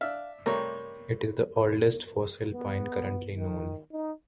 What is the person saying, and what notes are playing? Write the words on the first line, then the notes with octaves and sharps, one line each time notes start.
It is the oldest fossil pine currently known.
D4 E5 F5
C3 G3 A3 A#4 C#5
B3
D#3
D#4